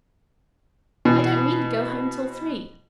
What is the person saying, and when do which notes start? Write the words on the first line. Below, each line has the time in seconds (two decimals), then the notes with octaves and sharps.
I don't mean to go home till three.
1.05 B2 E3